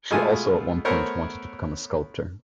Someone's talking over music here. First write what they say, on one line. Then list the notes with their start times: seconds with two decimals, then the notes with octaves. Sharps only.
She also at one point wanted to become a sculptor.
0.11 B2 G#3 A3 F4 G#5
0.85 A3 B3 A#4 C5 C#5